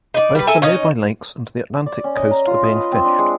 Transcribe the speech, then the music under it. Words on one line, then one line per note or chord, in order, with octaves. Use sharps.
Both the nearby lakes and the Atlantic coast are being fished.
D#4 D5
G3 B4
A4 A#4 E5 G#5
C#4 D#4 D#5
D5
C#4
D#5
A#5
F4
D#5
B4
C4
D4
G#3